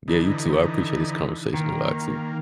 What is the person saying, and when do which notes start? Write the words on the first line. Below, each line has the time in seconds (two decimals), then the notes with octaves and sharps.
Yeah, you too. I appreciate this conversation a lot, too.
0.08 D3 E3 D#4
1.54 D#3 A#3